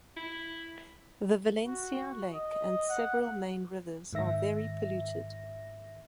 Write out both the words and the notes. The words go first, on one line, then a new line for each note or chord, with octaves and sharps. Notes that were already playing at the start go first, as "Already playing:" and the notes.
The Valencia Lake and several main rivers are very polluted.
E4
F#4
D#5
F#5
G#2 D#3 E5 A#6